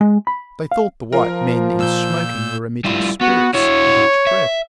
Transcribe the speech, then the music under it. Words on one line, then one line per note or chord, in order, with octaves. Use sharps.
They thought the white men in smoking were emitting spirits with each breath.
G#3
B5
F5
F3 F4 A#4
A#2 E6 G6
G3 E4 F4
B3 F#4
E4 F#4 C#5
E5